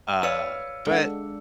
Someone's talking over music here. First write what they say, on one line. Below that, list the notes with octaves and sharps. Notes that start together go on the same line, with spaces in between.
Uh, but,
B4 C#5 D5 F5 E6 C#7
G#3 D4 A4 F#5